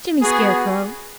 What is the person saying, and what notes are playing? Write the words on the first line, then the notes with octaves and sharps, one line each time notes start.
"Jimmy Scarecrow!"
B3 F#4 G#4